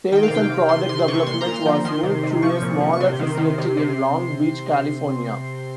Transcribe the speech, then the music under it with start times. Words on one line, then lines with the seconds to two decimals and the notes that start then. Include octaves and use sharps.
Sales and product development was moved to a smaller facility in Long Beach, California.
0.12 D#3 G5
0.23 F5
0.30 C3 G5
0.50 C3
0.69 C3 C6
0.89 C3 C6
0.99 C6
1.08 C3 C#6
1.27 A#2 C6
1.41 A#5
1.46 A#2
1.54 C6
1.66 F3
1.85 D#3 C6
2.03 C3
2.23 C3
2.42 F3 C#6
2.62 A#2
2.80 A#2
2.93 C#6
3.00 C3 C6
3.19 D#3
3.38 D#3
3.58 C3
3.77 C3